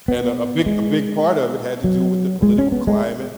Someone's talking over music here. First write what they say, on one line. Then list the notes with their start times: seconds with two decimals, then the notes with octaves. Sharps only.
and a a big a big part of it had to do with the political climate
0.08 B3
0.66 G#3
1.84 F#3
2.43 G#3
2.58 C#4
2.72 B3
2.87 G#3